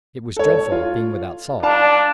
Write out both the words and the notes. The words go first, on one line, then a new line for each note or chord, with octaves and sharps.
It was dreadful, being without salt.
A4 C#5
F4
D4 D5 F5 A5